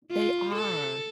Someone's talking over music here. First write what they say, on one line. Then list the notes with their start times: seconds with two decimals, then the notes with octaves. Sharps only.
They are.
0.11 F4
0.56 A4